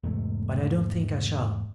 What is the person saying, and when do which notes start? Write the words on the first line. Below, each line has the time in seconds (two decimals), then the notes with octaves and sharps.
But I don't think I shall.
0.03 E2 G#2 C3 A3